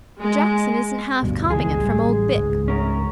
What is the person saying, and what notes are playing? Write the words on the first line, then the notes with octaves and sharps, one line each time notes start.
'Jackson isn't half copping it from old Bick.'
G#3
D2 G2 B2
C#2 E3 G#3 G#4
A1 G3
C#2 G#2
C#4 A#4